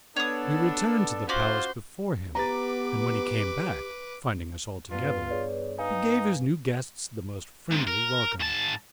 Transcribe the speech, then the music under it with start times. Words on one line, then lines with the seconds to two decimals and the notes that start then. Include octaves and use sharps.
We returned to the palace before him, and when he came back, finding us all together, he gave his new guests the most friendly welcome.
0.16 B3 D4 A4 C#5 D#6
1.29 C#4 F4 F#4 C5 D6
2.35 B3 G4 B4 A#5 D6 A6
4.91 G2 B3 F4
5.31 G#4 C#5 D5
5.79 D#4 B4 F5 G#5
7.72 G#2 C3
7.88 A#4
8.40 G#2 A5